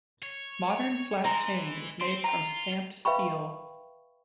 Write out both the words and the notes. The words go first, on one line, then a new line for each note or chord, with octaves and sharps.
Modern flat chain is made from stamped steel.
C#5
E3 G#3 A#5
C4 C6
F4 G5 A#5
B4 E5 F5 G5 B5 C#6